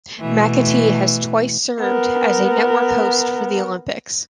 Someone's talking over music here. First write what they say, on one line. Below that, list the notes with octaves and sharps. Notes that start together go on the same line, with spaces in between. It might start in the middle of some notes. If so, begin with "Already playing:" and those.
Macatee has twice served as a network host for the Olympics.
B2 E3 A3
B3 A#4